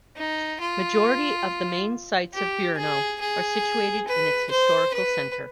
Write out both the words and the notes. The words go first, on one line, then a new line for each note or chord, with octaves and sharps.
Majority of the main sights of Brno are situated in its historical centre.
D#4
F4
G4
G#4
G#4
B4
C5
B4